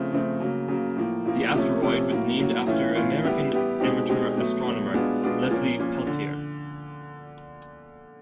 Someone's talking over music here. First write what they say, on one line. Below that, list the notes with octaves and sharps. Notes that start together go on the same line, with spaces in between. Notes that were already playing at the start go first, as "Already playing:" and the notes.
The asteroid was named after American amateur astronomer Leslie Peltier.
Already playing: C#3 F3 A3 C4
C#3 F3 A3 C4
C#3 F#3 A#3
C#3 F#3 A#3
A2 F3 A#3
A2 F3 A#3
C3 F3 A3 C#4
C3 F3 A3 C#4
A2 F#3 A#3
A2 F#3 A#3
A2 E3 A3 C#4 F4
A2 E3 A3 C#4 F4
G3 B3 E4 G4
G3 B3 E4 G4
B2 G#3 C4 D#4 G4
B2 G#3 C4 D#4 G4
B2 F#3 A3
B2 F#3 A3
B2 G#3 B3 D4 F4
B2 G#3 B3 D4 F4
A#2 F3 A#3 C#4
A#2 F3 A#3 C#4
D3